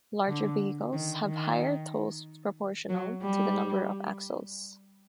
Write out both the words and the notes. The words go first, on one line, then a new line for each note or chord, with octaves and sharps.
Larger vehicles have higher tolls proportional to the number of axles.
D3
D#3
D#3
F#3
G3